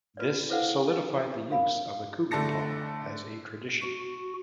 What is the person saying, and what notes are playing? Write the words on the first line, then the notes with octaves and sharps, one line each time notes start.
This solidified the use of the Cougar Paw as a tradition.
F4 B4 D5
E4 A4 B4 C5 F5 F#5
D#5
F#4 A#4 F5 B5
D3 A3 A5 A#6 C#7
F#4